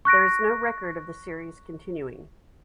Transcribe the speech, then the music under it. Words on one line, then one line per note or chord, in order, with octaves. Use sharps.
There is no record of the series continuing.
C#6 F#6 A#6 D7